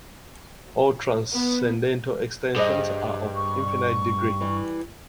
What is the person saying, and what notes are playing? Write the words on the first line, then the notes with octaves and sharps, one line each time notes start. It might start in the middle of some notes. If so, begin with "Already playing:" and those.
All transcendental extensions are of infinite degree.
B3
G2 G#4 C5 D#5
C#6
E3 G3